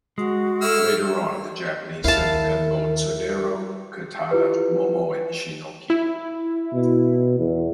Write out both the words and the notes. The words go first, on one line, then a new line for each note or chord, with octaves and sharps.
Later on the Japanese sent the gunboats "Hodero", "Katata", "Momo" and "Shinoki".
G#3 F#4
E4 A4 E6 F6
D#2 E4 A#4 F5 A5
E4 F4 G4 B4
E4
B2
E2